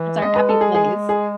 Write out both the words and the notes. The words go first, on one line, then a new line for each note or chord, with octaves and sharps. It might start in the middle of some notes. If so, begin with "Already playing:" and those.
that's our happy place.
Already playing: E3
G#3 D#5
B4
A4
G#4
G#4
G#4